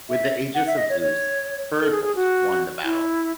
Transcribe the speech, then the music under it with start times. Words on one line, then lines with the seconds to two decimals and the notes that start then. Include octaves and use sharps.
With the aegis of Zeus, Heracles won the battle.
0.10 E5
0.55 F#5
0.67 E5
0.78 D#5
0.89 C#5
1.01 C#5
1.81 A4
1.93 G#4
2.04 G#4
2.16 F#4
2.84 E4